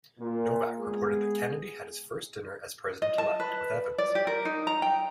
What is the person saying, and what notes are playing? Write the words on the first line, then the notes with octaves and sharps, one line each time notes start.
Novak reported that Kennedy had his first dinner as president-elect with Evans.
A#2
G#3 B3 G#4
D#5
A5
B4
D5
G4
A#4
D#4
A#5
G5